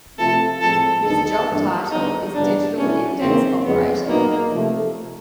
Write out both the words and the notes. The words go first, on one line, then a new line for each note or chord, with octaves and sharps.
His job title is digital index operator.
C3 F3 A3 C4 F4 A4
A2 F3 G#3 C4 A4
D#2 D3 F#3 B3 D#4 A4
G2 E3 G3 A#3 D4
D3 G3 B3 D#4
F#2 C#3 E3 G3 B3 D4
B2 F#3 B3 C#4 E4
E2 C#3 F#3 A#3 C4 D#4
F2 C#3 F3 G#3 B3
A#2 F#3 A#3 B3 D#4
C3 F3 A3